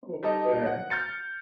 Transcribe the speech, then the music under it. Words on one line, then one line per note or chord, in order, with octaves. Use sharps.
Oh, man.
G3 D#4 A4 D#5
F#5
F6 G6 A6 C#7